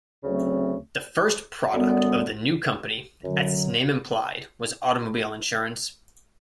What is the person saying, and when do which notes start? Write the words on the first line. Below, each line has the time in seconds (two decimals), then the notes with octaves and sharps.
The first product of the new company, as its name implied, was automobile insurance.
0.24 D2 C#3 F#3 A3 C4
1.72 F#2 D3 G3 B3
3.21 F#2 D3 F#3